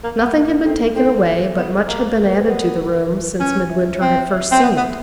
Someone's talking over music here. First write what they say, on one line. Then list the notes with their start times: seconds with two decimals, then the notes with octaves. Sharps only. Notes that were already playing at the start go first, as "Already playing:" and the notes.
Nothing had been taken away, but much had been added to the room, since Midwinter had first seen it.
0.03 A#3 A#4
0.19 B3
0.65 C4 A4
0.95 C4 A4
1.57 B3
1.87 A#3
2.17 A#4
2.28 C5
2.38 B4
2.48 B3 A#4
3.08 B4
3.40 C#4
3.70 E5
4.01 C4
4.31 E5
4.51 C4
4.62 B3
4.77 B3